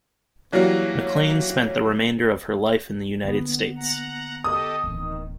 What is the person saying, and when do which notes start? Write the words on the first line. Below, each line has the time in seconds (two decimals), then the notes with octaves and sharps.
MacLane spent the remainder of her life in the United States.
0.52 E3 F#3 G3 A#3 F#4
3.24 D3 A#3 B3
3.76 F#5 A#5
4.44 G4 A4 D#5 D#6
4.84 D1 D#3 E3